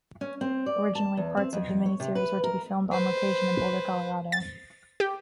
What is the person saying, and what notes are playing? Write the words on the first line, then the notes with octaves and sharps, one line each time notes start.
Originally, parts of the miniseries were to be filmed on location in Boulder, Colorado.
C#4
C4
D5
A5
E2
C4
F2
C#5
C3
B4
A#4
B4 C5
A6
G4